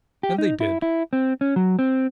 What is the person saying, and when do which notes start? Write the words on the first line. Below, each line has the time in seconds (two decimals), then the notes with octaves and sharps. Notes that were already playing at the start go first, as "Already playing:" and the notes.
And they did.
0.23 G4
0.38 D#4
0.60 E4
0.82 E4
1.13 C4
1.41 C#4
1.56 F#3
1.79 C4